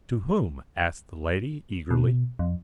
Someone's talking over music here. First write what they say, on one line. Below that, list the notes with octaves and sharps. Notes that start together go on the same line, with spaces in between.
"To whom?" asked the lady, eagerly.
B2
F2